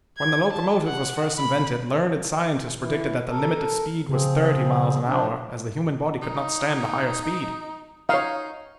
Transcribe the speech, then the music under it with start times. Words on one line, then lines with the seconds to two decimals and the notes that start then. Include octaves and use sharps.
When the locomotive was first invented learned scientists predicted that the limit of speed was thirty miles an hour, as the human body could not stand a higher speed.
0.17 G#6
0.53 A5
0.86 F#5
1.38 B5
2.78 E3
3.30 A4 A#4
4.09 C#3 F3 C4 G#4
5.07 F3 D4
6.22 D#4
8.09 D#4 C#5 F5